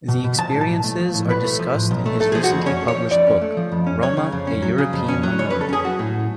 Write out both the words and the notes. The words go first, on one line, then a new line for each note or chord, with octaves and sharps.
The experiences are discussed in his recently published book: Roma - A European Minority.
B2
B2
F3 A5
A2
A5
B1
A3
F3
A2
B1 B4
A3
F3
A2
B1
A3
A3 A4
F3 G#4
F#4
F2
C#4 C#5
A3
C#5
F3
F2 D5
C#4
A3
F3
F2
C#4
F#3 C#5
C#3
F2
C#4
F#3
C#3
F2
C#4
F#3
C#3 C#5
B4
F2
A4
C#4 G#4
F#3 F#4
A2